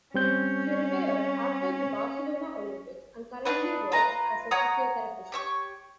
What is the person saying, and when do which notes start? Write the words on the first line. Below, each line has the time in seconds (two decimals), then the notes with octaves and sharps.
She retired after the Barcelona Olympics and currently works as a physiotherapist.
0.14 G3 C4 C#4 G6
3.45 D4 D#4 F#4 B4
3.92 F4 B4 A#5
4.51 C#5 F#5 A#5 D#6
5.32 G4 C#5 C#6